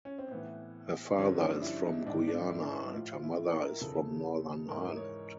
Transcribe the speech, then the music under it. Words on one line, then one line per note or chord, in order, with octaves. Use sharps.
Her father is from Guyana and her mother is from Northern Ireland.
C#4
C4
A2 E3 B3
G2 D3 F3 C#4
D4
E4
D#4
G#2 D#3 D4
D4
E4
E4
A2 F3 F4
F4
E4
A#4
E2 C#3 F3 A4
G#2 E3 A#4
C#5